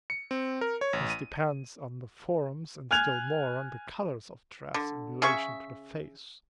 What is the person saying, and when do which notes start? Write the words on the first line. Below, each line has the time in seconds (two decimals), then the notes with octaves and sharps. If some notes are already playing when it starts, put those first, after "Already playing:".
This depends on the forms and still more on the colors of dress in relation to the face.
0.10 C#7
0.31 C4
0.61 A#4
0.81 C#5
0.93 A1
1.10 D#7
2.91 G#5 F6 F#6 G#6 F7
4.74 D3
5.22 C#3 G#4 E5 C#6